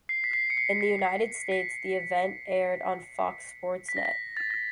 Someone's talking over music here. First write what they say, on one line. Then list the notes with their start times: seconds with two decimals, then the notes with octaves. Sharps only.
In the United States the event aired on Fox Sports Net.
0.09 C7
0.24 B6
0.33 C7
0.50 C#7
0.57 C7
0.81 B6
0.99 C7
1.04 B6
1.52 B6
3.89 B6
3.97 A#6
4.05 B6
4.37 A6
4.50 A#6